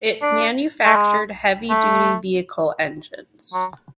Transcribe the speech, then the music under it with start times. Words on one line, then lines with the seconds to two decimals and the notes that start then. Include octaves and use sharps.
It manufactured heavy duty vehicle engines.
0.22 D4
0.85 A3
0.95 G#3
1.70 A3
3.53 F#3